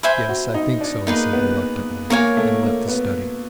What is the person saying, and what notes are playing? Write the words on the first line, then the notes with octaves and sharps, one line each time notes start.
"Yes, I think so," he said reluctantly, and left the study.
C5 E5 G#5 B5
F#4
D#4
D4
A#3 D#4 G#4 B4
B3
A#3 A#4 C#5 F5 G#5
A3
A#3
B3